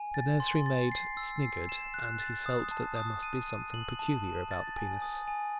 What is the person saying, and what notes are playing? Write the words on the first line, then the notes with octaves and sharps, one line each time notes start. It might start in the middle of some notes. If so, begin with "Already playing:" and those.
The nursery-maid sniggered, and he felt that there must be something peculiar about the penis.
Already playing: G#5
A6
C6
A6
C7
E6
C7
E7
F#6
A6
D#6
A5
D#6
D#7
D#7
F#7
A5
A5
A6
G#5
D#6
G#5